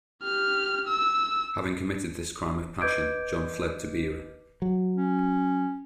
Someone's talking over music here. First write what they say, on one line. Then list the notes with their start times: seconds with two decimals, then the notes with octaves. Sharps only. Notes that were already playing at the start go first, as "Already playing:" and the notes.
Having committed this crime of passion, John fled to Beira.
0.23 G4 F6
0.87 E6
2.81 B4 D#5 D6 G6 G#6 D7
4.62 F#3
4.96 C#4